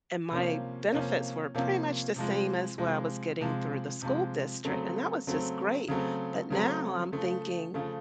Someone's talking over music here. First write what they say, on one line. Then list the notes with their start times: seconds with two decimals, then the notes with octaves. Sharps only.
and my benefits were pretty much the same as what I was getting through the school district, and that was just great, but now, I'm thinking
0.31 C3 F3 A#3 C#4
0.92 C3 F3 A#3 C#4
1.55 C3 F3 A#3 C#4
2.16 C3 F3 G#3
2.78 C3 F3 G#3
3.41 C3 F3 G#3
4.02 C3 F3 G#3
4.65 C#3 F#3 A3 C4
5.27 C#3 F#3 A3 C4
5.88 C#3 F#3 A3 C4
6.50 C#3 F#3 A3 C4
7.12 C#3 F3 A3
7.74 C#3 F3 A3